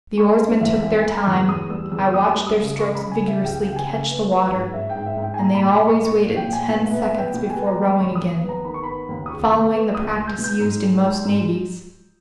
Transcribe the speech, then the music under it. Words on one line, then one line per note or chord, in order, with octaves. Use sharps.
The oarsmen took their time. I watched their strokes vigorously catch the water, and they always waited ten seconds before rowing again, following the practice used in most navies.
G#3 C#6
G#3
E2 E5
G#3 E5
G#5
G#3
B5
A#5
E2 C#6
E2 D#6
G3 E6
E2 E6
C#6
G3 D#6
G3
D#6
C#3
G#3 C#6
C#3 B5
G#5
C#3
E5
C#2 G5
C#3 G5
G#5
C#3
G#5
B3
B3
G#2
G#2 E5
G5
G#2
E5
G#2
G5
G#5
A#2 A#5
B5
A#2 A#5
B5
A#2 C#6
A#2 C#6
A#2
G5
A#2
G#5
B2 G#5
B3 E5
E5
B3
G5
B2 G5
G#5
B3
A#5
G#3
B5
D#2 C#6
D#6
D#2
B3
A#5
D#3 B5
C#6
B3 B5
D#2
D#6
C#2 C#6
B2
B3
C#2 D#6
E6
G#3
G6
B2
G6
G#2
G#3
G#3
G#2